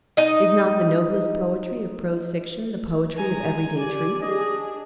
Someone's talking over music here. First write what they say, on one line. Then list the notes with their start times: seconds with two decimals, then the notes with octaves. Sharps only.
Is not the noblest poetry of prose fiction the poetry of every-day truth?
0.17 D#4 D#5
3.16 G#3 G#5 A#5
3.77 G4 D5
4.22 D4 G#4 D#5